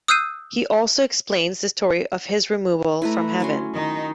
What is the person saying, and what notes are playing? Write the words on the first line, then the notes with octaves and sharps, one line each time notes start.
He also explains the story of his removal from heaven.
D#6 E6 F#6 G6 C7 D#7
A3 E4 B4 A#5
F#3 C#4 C6
D#3 D#4